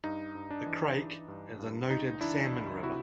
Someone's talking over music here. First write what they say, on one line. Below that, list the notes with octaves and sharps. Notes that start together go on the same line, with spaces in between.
The Crake is a noted salmon river.
G2 D#4
G2
D4
E3
E3
G2
G2
C#2 D#4
E3 D4 E4
C#2
C3 E4 F#4